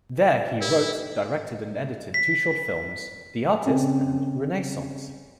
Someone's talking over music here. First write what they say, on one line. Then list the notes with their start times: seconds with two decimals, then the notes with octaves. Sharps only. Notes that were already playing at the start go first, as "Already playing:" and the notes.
There he wrote, directed and edited two short films, "The Artist" and "Renaissance".
0.61 E4 G4 A#4 B4
2.14 B6
3.66 C#3 C4 C#4